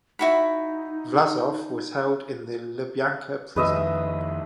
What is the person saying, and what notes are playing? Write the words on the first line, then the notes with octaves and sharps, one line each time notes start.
Vlasov was held in the Lubyanka prison.
D#4 E4 F#4 B5
F2 D#3 B4 D#5 E5